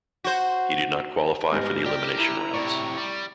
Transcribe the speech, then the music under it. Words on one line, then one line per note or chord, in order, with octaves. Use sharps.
He did not qualify for the elimination rounds.
F#4 C5
G#2 G3 B3 A#4
G4 D5 G5
E4 A#5
A2 C3 D5 C#6
G3